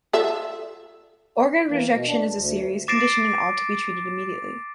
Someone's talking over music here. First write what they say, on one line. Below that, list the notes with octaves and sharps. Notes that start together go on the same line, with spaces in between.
Organ rejection is a serious condition and ought to be treated immediately.
F4 A4 E5
E3 A#3
B2
D4
D2
D6 A6 A#6 C7 D7 E7